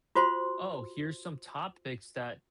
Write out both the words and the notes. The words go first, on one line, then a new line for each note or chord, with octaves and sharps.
"Oh, here's some topics that
F4 F#4 C5 C6